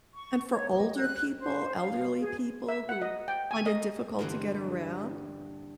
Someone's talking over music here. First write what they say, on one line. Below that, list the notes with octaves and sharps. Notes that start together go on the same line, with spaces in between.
and for older people, elderly people who find it difficult to get around,
C#6
C#5
D#5
F#6
C5
F5
G#4
E5
F#5
D#5
G5
G#5
D#5
G2 A#2 D3 E3 C4